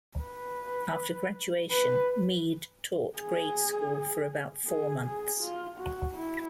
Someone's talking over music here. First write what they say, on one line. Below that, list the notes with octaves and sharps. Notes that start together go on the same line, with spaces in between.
After graduation, Mead taught grade school for about four months.
B4
B4
G#4
G#4
G#4
F4
F#4
E4